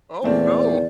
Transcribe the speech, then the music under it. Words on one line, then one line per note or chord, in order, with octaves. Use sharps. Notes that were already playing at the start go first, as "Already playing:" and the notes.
Oh, no!
E2 A#2 A3 C4 D5